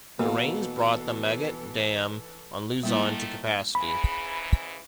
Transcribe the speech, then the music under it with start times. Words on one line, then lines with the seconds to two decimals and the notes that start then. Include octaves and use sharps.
The rains brought the Magat Dam on Luzon to capacity.
0.19 B2 E3 A#3 A4
2.83 D#3 F3 G3 A3 A#3 E4
3.75 G#2 C#3 E3 B5